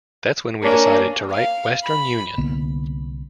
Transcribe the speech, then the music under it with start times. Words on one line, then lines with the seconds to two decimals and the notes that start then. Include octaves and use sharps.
That's when we decided to write 'Western Union.
0.63 A#3 C#4 D4 A#4
1.31 F5
1.84 B5
2.38 C2 D3 A#3 B3